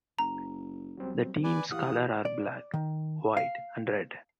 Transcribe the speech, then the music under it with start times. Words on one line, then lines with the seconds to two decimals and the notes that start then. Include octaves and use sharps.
The team's colors are black, white and red.
0.19 F#1 A#5
0.97 F#3 G3 C4
1.44 B4 D5 G#5
1.71 E3 G4 F5 F#5 D#6
2.25 D5
2.74 D#3
3.37 F5